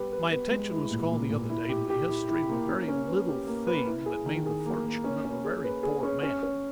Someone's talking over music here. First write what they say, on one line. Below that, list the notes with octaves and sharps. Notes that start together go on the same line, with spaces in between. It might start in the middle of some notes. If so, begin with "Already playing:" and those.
My attention was called the other day to the history of a very little thing that made the fortune of a very poor man.
Already playing: G3 B3 G4 B4
B4
B3
G#3
E4
A#2
A#2
A#2
E4
G4
G4
E4
E4
A#3
C#4
C#4
B4
G4
A#3
B4
E4
G#4
D#3
G#4
A#3
A#3
C#4
C#4
G#4
B4
G#4
C#4
C#4
C#4